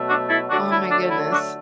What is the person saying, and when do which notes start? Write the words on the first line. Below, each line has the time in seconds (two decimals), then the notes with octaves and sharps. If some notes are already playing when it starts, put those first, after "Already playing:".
Oh my goodness.
Already playing: B2 F#3 A3
0.09 D4 F#4
0.29 E4 A4
0.50 D3 F#3 A3 D4 F#4
0.70 E4
0.90 D4
1.11 E4
1.31 D4 F#4